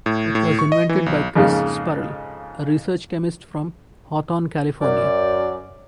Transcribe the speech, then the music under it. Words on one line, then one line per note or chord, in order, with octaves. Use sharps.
It was invented by Chris Spurrell, a research chemist from Hawthorne, California.
A2
A2
C#6
D#5
E3
B1
F2 G#2 C#3 A#3
F#2 D5